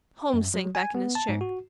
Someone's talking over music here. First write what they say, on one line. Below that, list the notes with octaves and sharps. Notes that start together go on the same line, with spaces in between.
Holmes sank back in his chair.
F#2
F#3
G#5
B3
A5
G#2
F#4